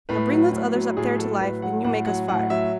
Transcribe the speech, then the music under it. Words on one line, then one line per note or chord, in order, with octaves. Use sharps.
Now bring those others up there to life, and you make us five.
A2 B4
F#3
A2
F#3
A2 G#4
F#3 A4
A2 B4
F#3 F#5
A2 F#5
F#3 F#5
A2 F#5
F#3 E5